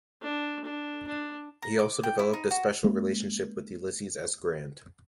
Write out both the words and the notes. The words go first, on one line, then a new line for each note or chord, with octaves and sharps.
He also developed a special relationship with Ulysses S. Grant.
D4
D4
D4
A#5
D6
G5
E4
D#4
F#4
G#3 A#3 C#4